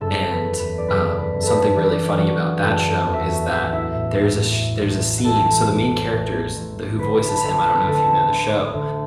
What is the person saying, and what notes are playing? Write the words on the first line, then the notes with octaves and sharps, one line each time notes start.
and, um, something really funny about that show is that there's a sh there's a scene so the main characters th who voices him, I don't know if you know the show,
F#1 A4
B4
E2
B4
D5
F#1 B4
B4
F#1
A4 B4
E3 D5
B4
D4 D5
E3 F#4 F#5
F#1 A4 A5
A4 A5
E2
E5
F#4 F#5
A1 E5
F#5
E4 E5
A2
A2
A1
F#5
E3 A4 A5
A1
A1
A1
D2 B4 B5
A5
B5
D3 A4 A5
B4 B5
B5
D2 A4 A5
D2
D2